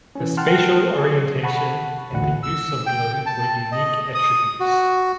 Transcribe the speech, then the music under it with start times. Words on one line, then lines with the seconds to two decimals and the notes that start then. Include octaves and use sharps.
The spatial orientation and the use of blue were unique attributes.
0.15 E3 C#4
0.37 F#5 G5 A5 C6 F6 F#6
0.94 G#4
1.43 F#5 A5 B5 C#6
2.12 A1 D2 F#5
2.43 E6
2.86 G5
3.26 A5
3.72 D#5
4.15 D#6
4.60 F#4